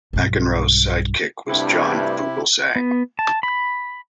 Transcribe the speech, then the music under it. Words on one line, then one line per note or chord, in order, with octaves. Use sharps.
McEnroe's sidekick was John Fugelsang.
B1 G2
D2 G2 C3 E4
B3
A5
B5